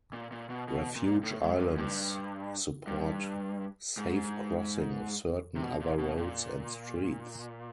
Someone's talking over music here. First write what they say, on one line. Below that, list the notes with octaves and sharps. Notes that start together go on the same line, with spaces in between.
Refuge islands support safe crossing of certain other roads and streets.
A#2
A#2
B2
B2
A#2
A2
G#2
F#2
G2
F#2
G2
G2
G#2
C3
B2
A#2
B2
A#2